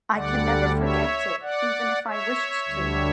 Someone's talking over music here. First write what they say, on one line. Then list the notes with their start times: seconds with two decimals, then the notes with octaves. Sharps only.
I can never forget it, even if I wished to.
0.14 D2 D3 G3 D5 F#5
0.78 C#5 E5
1.42 D5 F#5
2.06 C#5 E5
2.68 D2 D3 G3